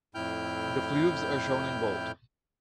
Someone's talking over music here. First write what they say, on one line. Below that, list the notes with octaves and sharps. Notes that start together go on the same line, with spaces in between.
The "fleuves" are shown in bold.
F2 A2 E4 G5 F6 G6